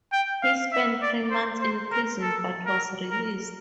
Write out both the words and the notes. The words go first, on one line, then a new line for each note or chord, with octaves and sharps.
He spent three months in prison, but was released.
G5
F5
E5
D5
C5
C5
A#4
A4
A#4
A#4